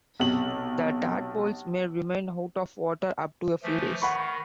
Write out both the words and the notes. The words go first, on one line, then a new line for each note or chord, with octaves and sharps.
The tadpoles may remain out of water up to a few days.
B1 C3 F#7
E3 F3 A3
D#3 F#5 B5 C#6